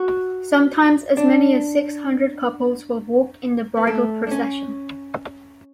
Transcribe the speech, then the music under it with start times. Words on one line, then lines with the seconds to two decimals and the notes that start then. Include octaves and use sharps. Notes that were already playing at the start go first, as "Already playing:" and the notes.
Sometimes as many as six hundred couples will walk in the bridal procession.
Already playing: F#4
1.17 D4
3.77 B3
3.87 A3
4.27 D4
4.31 C#4